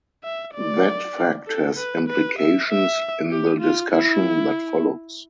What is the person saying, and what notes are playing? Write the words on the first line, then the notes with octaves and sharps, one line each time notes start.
That fact has implications in the discussion that follows.
E5
D5
A4
B4
B4
E5
E5
G4
F4
E4